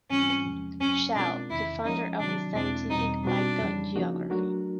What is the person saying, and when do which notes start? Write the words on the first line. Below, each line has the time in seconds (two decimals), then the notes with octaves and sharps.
Schouw, co-founder of the scientific phytogeography.
0.10 G#2 E3 G3 C4 C#4 F4
0.45 E2 C3 F3 G#3
0.80 F#2 C#3 F#3 C#4
1.15 B2 G#3 C4 D4 F4 A#4
1.50 E2 C3 D#3 E4
1.85 F3 G#3 C#4 D#4
2.20 C3 D#3 F#3 D4
2.55 E2 B2 G#3 C4 D4 E4
2.90 E2 B2 G3 C4 D#4
3.24 B2 G3 C4 D4 D#4 F#4
3.60 F2 C#3 E3 G3
3.96 C#3 F3 A#3 D#4 F#4
4.30 F#3 A3 D4 F#4 A#4